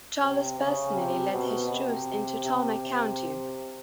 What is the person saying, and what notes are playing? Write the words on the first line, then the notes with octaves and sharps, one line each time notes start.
Charles personally led his troops into Tolna County.
C3
C#3
C3
B2
C3
C3
C3